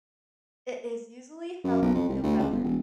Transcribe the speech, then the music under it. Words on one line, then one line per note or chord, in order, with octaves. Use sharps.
It is usually held in November.
F#2
B1
F2
C2
D2
C#2
G1
E1